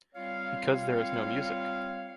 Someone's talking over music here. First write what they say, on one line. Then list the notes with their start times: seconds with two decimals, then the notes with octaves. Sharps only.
Because there is no music.
0.15 G3 C4 F4 C#5 F5